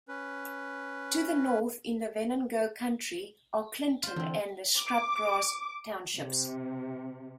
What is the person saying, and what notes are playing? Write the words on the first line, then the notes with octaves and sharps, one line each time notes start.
To the north, in Venango County, are Clinton and Scrubgrass townships.
C#4 B4
F4 C5
D3 E3 C4
D6
C3